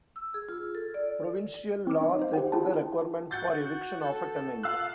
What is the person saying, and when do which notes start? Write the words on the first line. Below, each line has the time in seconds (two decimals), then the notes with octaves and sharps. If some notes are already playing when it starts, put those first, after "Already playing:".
Provincial law sets the requirements for eviction of a tenant.
0.16 E6
0.34 G#4
0.49 F4
0.75 A4
0.94 D5
1.87 C4 D6
2.01 D#4 D#5
2.19 D#4 C5 F5
2.33 G4 C5 F#5 G5
2.52 E4 F4 G#4 G5 A5
3.31 F#4 F#5 G6 A6
4.01 A4
4.63 F4 F5 E6 F#6